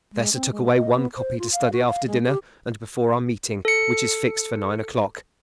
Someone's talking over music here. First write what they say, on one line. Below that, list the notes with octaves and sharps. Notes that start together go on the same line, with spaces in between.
The Professor took away one copy to study after dinner, and before our meeting, which is fixed for nine o'clock.
G#3
C4
G#3
D#5
B3
C5
F4
F5
F#4
F5
G#3
G4
A4 C#7